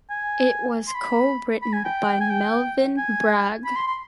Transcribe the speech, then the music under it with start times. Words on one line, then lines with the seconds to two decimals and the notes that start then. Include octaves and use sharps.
It was co written by Melvyn Bragg.
0.10 G#5
0.88 C6
0.95 B5
1.62 B5
1.73 G#5
1.85 G5
2.21 G#5
2.30 G5
2.98 G#5
3.65 B5
3.76 C6
3.87 C6